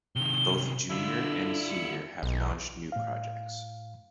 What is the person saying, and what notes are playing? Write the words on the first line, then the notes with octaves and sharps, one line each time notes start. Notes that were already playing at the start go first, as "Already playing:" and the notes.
Both Junior and Senior have launched new projects.
C3 D#3 G7
D3 E4 F4 E6
C#7
B1
A2 F5